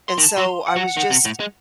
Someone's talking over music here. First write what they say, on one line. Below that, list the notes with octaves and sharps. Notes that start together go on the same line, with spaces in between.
and so I was just
C6
D#3
A5
F#3 C6
F#5
F#3
D#3
C3
A2
G#3